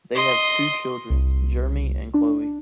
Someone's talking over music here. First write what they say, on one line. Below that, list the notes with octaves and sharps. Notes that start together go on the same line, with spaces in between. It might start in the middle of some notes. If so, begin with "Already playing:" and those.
They have two children: Jeremy and Chloe.
D#5 C6
C2
D4